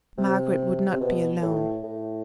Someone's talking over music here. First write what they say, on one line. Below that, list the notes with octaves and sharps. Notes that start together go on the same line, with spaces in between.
Margaret would not be alone.
C3
C3
B2
A2
A2